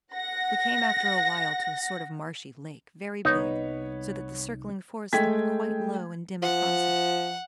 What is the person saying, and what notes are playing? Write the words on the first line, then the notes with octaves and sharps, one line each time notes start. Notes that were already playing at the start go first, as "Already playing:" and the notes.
We came after a while to a sort of marshy lake, very big, so that the circling forest looked quite low and dim across it.
F#5 A#6
C2 G3 B3 D#4 C#5
G#3 A3 G5 G#6 B6
F3 F#5